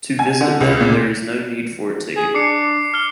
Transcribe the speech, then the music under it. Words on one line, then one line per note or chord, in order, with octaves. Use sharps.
To visit them there is no need for a ticket.
G#5
D3
C#2
A#2
G#4
D4 D6 C7 C#7
F6 G7